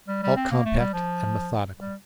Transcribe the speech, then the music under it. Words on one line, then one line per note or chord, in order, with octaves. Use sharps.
All compact and methodical.
G3
G3
C4
A#3
A3
G3
F3
G3